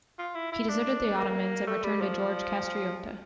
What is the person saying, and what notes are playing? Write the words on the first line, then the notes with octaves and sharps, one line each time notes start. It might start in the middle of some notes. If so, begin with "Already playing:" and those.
He deserted the Ottomans and returned to George Kastriota.
F4
E4
E4
D4
A#3
A3
G3
F3